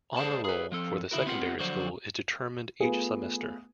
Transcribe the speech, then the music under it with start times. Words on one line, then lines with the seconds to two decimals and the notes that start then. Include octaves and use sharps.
Honour Roll for the secondary school is determined each semester.
0.17 C#2 G#4 B4 C5 D5 A5
0.44 G#4 B4
0.72 F3 C4 A4
1.11 D3 D#4 E4 F#4 A#4
1.26 B3 C4 F4 G4 F#5
1.59 D3 F3 F#3 F#4 C5 D5
2.80 A3 B3 F4 G#4